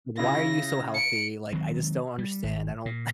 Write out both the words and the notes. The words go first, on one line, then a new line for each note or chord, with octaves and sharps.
Why are you so healthy, like, I just don't understand." I don't
C#3 E4 F4 A#6
C#7 D7
D#3 F#3 G#3 C4
G3
G#1
A#2